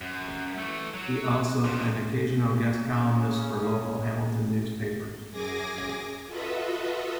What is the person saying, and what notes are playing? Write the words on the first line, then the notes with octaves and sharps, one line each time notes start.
He also an occasional guest columnist for local Hamilton newspapers.
F#2
E3 A3
F#3
F#2 F3
C#3 C#4
F#2 G#4 G#5 D6 A#6
F4 F#4 A4 B4 D#5 E5